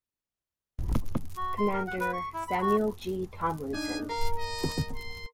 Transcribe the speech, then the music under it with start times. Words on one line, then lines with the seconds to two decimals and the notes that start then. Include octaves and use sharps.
Commander Samuel G. Tomlinson.
1.37 F#4
1.58 C6
1.73 A#4
1.87 F#5
2.00 B4
2.13 C#6
2.34 E4
2.48 B5
2.61 F#4
3.73 D4 D#4 G#5
4.09 A#4 F5
4.38 D#5
4.96 C6